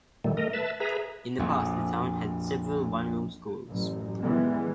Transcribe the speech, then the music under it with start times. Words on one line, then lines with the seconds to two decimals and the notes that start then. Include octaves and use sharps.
In the past, the town had seven one-room schools.
0.24 A#2 D#3 G3 A3
0.37 A3 A#4 D#5
0.53 B4 E5 A5
0.80 G#4 B4 E5 A#5
1.39 A#1 F2
3.70 A1 F#2
4.21 D#3 E3 G3 G#3 B3